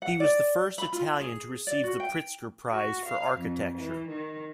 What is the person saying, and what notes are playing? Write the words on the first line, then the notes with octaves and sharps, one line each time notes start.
He was the first Italian to receive the Pritzker Prize for architecture.
F#5
D5
B5
F4
G#4
D5
F#4
G5
F#4
F5
F2
E3
D#3